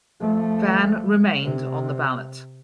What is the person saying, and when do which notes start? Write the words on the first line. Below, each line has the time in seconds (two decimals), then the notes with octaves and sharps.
Vann remained on the ballot.
0.21 F3 A3
1.43 C3